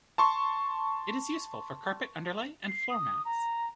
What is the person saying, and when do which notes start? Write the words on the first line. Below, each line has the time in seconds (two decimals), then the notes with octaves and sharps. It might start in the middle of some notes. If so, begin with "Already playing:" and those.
It is useful for carpet underlay and floor mats.
0.18 A5 C6 C#6
2.68 C7
2.90 D#6
3.25 A#5